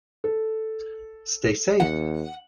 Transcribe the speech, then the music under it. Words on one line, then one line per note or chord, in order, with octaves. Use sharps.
Stay safe.
A4
D#2 F#5